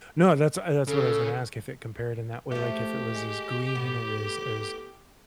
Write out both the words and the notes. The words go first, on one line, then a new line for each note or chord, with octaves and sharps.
No, that's, uh, that's what I was gonna ask, if it compared in that way, like, if it was as green or as as,
C#3 A4
F3 A3 G4
G#3
A2 B3